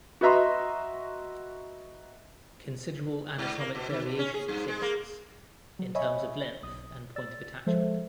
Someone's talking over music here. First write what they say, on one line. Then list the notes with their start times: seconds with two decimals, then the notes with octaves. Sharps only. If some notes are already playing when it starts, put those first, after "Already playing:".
Considerable anatomic variation exists, in terms of length and point of attachment.
0.21 F#4 B4 D#5 E5 A#5 C6
3.38 G#2
3.59 A#3
3.75 B2
3.89 D#3
4.06 B2
4.19 C#4
4.34 G#4
4.48 G2
4.68 G#3
4.82 A#3
5.79 F#3
5.95 C#5 D#5 E5 G#5 B5 C#6
6.63 B1 D#6
7.16 D5 E6 A6
7.66 F3 G#3 A4 C5 E5